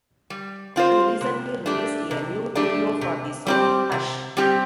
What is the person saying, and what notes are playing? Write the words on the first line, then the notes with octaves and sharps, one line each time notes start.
He recently released a new video for the song "Hush".
G3
C4 F4 C5
C3
A3 D4 G4
C3
A3 D4 G4
C3
G3 C4 G4
C3
G3 C4 G4